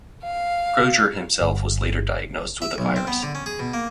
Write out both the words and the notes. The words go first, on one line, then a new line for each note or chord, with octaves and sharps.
Crozier himself was later diagnosed with the virus.
F5
G1
E5
B1
C4
B3
D3
C#4
G#4
B2
A#3